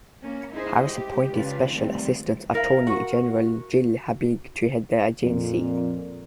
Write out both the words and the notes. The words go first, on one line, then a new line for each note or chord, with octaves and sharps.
Harris appointed special assistant attorney general Jill Habig to head the agency.
A#3 C#4
D#4 E4 G#4 C5 D#5
G#3 G4
C#3 D4 F4 B4
D#3 G3 A3 C4
E4 A#4 F5
F#4
F2 A#2